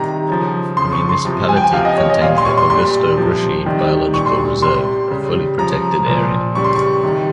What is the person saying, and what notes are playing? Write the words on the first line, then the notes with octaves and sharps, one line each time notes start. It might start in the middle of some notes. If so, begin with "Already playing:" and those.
The municipality contains the Augusto Ruschi Biological Reserve, a fully protected area.
Already playing: C3 D#3 G3 A#5
C#3 F3
C#3 F3 C6
C#6
C6
C3 F3
G#5
G5
G#5
C3 F3 F5
D#5
C#5
D#5
A#2 G3 F5
C6
C#6
C6
A#2 G3 C6
C3 F3
C3 D#3 G3
A#2 G3 C#6
C6
C3 G3 C6
C#3 G3
C#3 F3 A#5
A#2 F3
C#3 G3 C#6
C6
C#6
C3 D#3 G3